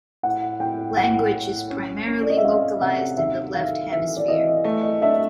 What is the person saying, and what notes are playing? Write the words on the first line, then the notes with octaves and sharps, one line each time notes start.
Language is primarily localized in the left hemisphere.
A2 F#5
A2 G5
A2 F#5
A2
C#4
C#4
D5
D#5
E5
C#4 F5
C3 F#5
D#2 E5
D#2 F5
E3 E5
D5
E3 D#5
A3
D#5
D4 E5